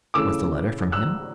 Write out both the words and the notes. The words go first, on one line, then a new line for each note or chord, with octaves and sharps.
"Was the letter from him?"
C#3 E3 A3 D6 E6
E6 F#6